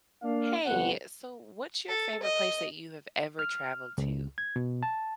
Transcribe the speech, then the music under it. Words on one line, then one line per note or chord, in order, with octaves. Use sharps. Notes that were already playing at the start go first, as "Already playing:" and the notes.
Hey, so what's your favorite place that you have ever traveled to?
A#3 D4 F5
G1 F2 B3 F#5
A4
D#5
F6
C#2
G#6
B2
A5